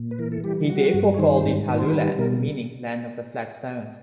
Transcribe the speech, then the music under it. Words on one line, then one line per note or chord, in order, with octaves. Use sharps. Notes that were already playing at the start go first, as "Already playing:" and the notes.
He therefore called it Helluland meaning "Land of the Flat Stones".
Already playing: A#2
B4
E3 A#4
A4
G3 G4
G3 F#4
G2
C#5
D#3 C5
G#2
D#3 B4
C5
G3 B4
B2 A#4